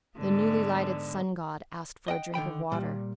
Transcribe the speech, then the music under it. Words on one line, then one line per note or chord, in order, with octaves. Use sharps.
The newly lighted sun-god asked for a drink of water.
G#2 D3 B3
D#5 F#5 G5
D3 D#3 G5 B5
A#2 G3